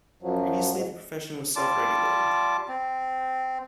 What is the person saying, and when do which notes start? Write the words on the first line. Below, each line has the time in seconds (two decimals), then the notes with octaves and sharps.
Previously, the profession was self-regulated.
0.23 F#2 F3 F#3
0.73 F2 G#2
1.56 G3 F4 A5 D6
2.68 C4